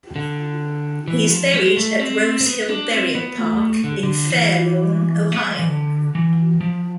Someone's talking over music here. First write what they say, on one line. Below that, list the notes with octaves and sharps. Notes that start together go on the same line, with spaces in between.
He is buried at Rose Hill Burial Park in Fairlawn, Ohio.
D3
E3
F3
G#3
A3
C4
C4
B3
D4
C4
B3
A3
D3
D3
E3
A3
G#3
F3
E3
D3
E3
F3